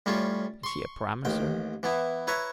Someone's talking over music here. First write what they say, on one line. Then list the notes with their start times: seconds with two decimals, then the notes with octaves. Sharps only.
Is he a promiser?
0.06 A2 G3 C#4 F4
0.64 C6 C#6
1.25 A1 D#2 G5
1.83 E3 B3 E4
2.27 E4 B4 C#5 E5 A#5